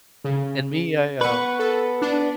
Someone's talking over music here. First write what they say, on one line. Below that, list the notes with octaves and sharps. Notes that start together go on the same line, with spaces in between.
and me, I uh,
C#3
B3 B4 C#6
A4
D4